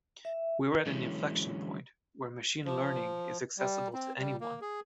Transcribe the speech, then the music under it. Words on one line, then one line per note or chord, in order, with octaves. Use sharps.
We're at an inflexion point where machine learning is accessible to anyone.
E5
D3 E3 F#3 G#3 C#4 E4
F3
G3
C4
G3
A#3
G#4